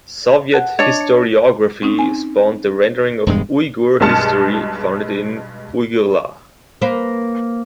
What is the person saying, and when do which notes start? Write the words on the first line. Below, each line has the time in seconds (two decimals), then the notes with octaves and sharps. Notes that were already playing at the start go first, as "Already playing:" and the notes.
Soviet historiography spawned the rendering of Uyghur history found in Uyghurlar.
0.53 F#5 A5 F#6
0.79 D4 C#5 D#5
1.01 C#7
1.82 C4 C#4 D#4
1.99 C4 G#5
3.27 E1 G2 G#3
4.00 B1 G2 G#3 A5 F6 C#7
6.81 A#3 B4 C5